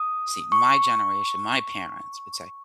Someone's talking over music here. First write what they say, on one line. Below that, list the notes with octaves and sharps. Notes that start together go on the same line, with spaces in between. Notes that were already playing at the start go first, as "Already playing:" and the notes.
see, my generation, my parents would say,
Already playing: D#6
C#6